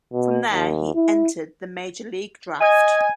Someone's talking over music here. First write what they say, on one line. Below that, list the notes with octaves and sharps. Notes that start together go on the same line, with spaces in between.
From there he entered the major league draft.
B2
D#2
E4
D#5 G#5